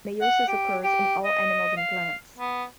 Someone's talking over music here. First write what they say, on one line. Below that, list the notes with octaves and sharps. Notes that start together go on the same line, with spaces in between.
Meiosis occurs in all animals and plants.
F#5
G4
G4
D#5
F5
B3